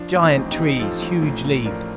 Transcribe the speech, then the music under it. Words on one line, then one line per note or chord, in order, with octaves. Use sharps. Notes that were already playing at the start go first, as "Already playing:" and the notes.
Giant trees, huge-leaved.
Already playing: F3 D4
A1
C4 D#4
A1
D#4 G4
A2
F3 F4 A4
A1
A1
A2
F3 A#4 D5